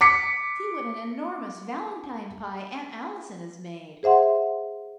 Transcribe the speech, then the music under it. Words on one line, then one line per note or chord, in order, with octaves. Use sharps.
"See what an enormous valentine pie Aunt Allison has made!"
D6 B6 C#7
G#4 C5 E5 F#5 C6